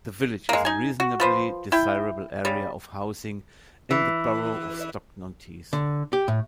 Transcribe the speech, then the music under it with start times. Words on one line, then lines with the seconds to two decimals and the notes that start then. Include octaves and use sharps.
The village is a reasonably desirable area of housing in the borough of Stockton-on-Tees.
0.49 G#3 A#3
0.65 D#4 G#5
1.00 F#4
1.20 F3 B4 C5
1.72 E4 G5
2.45 C#3 G3
3.91 E3
5.73 D3
6.13 G4
6.28 A2